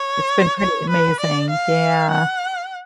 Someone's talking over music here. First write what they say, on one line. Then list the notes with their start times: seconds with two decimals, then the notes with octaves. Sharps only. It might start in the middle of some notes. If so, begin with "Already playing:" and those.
It's been pretty amazing, yeah.
Already playing: C#5
0.60 C#5
0.90 B4
1.20 D5
1.50 F5
2.10 F#5